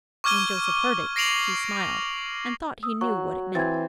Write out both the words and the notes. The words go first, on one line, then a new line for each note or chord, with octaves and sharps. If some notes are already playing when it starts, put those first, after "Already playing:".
When Joseph heard it, he smiled, and thought he knew what it meant.
C#6 D6 F6 G#6 D#7 G7
A#6 C7 D7 F7 F#7
D#6 E6
F#3 C#6
E3 C4 G#6 A6